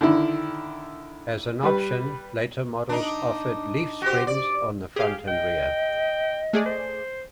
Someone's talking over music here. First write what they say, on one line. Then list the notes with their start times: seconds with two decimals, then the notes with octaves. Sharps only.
As an option, later models offered leaf springs on the front and rear.
0.01 D3 D#3 E4
1.63 G3 B4
2.89 D4 D#4
4.02 F#4 G4 C5
4.27 D5
4.96 G4 G#4 F5
5.28 D#5 G5
6.53 G#3 A3 G#4 D5
6.66 C5